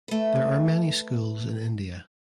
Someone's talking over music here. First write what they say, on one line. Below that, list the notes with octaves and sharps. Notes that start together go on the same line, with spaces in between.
There are many schools in India.
A3 B4